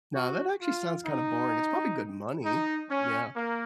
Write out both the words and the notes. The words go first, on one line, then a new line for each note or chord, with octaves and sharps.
No, that actually sounds kinda boring, it's probably good money. Yeah.
F#4
F4
D#4
D#4
C#4
A#3